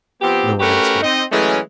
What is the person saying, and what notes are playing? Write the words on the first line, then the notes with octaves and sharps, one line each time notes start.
No answer.
F3 B3 C4 G4
A3 C#4 F#4 G4 A#4 B4
C4 D#4 D#5
E3 F#3 G#3 A3 C#4